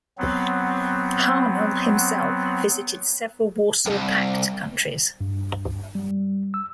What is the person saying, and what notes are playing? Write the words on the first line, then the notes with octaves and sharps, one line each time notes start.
Harmel himself visited several Warsaw Pact countries.
F#3 B3 C4
C2 G2
G2
G3
E6